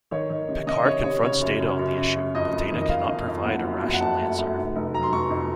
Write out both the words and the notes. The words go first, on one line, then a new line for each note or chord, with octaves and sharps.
Picard confronts Data on the issue, but Data cannot provide a rational answer.
D#3 C#5
D#3
C3
C3 D#5
C3 C#5
C3 C#5
C#3 C#5
F#2
C#3
F#2
F#2
F#2
F2 D#5
F2
D#3
D#5
D#3 F5
F2
F2
F#1 F#5
F#2
F#1
F#5
F#2 A5
A3
F#2
F1
F1
F#3 A#5
C6
F1 C#6
F2